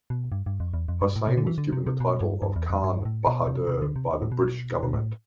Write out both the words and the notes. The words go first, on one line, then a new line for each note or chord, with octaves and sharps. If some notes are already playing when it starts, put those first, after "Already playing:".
Hossain was given the title of Khan Bahadur by the British Government.
B2
G2
G2
F2
E2
F2
G2
A2
C3
D3
E3
D3
C3
C3
B2
G2
G2
E2
F2
G2
A2
B2
C3
C3
D3
C3
A2
B2
B2
A2